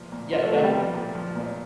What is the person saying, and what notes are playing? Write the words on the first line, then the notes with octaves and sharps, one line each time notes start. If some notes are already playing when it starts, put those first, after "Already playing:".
Yeah, definitely does.
Already playing: A#2 F3
A#2
F3 F4
A3
C3 A3
G3
F3
A#2
F3
A#2